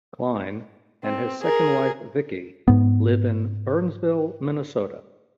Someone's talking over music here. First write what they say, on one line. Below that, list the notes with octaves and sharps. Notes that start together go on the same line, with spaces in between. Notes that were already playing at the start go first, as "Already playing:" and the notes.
Kline and his second wife, Vicky, live in Burnsville, Minnesota.
C4
G#4 A#4
G#2 B3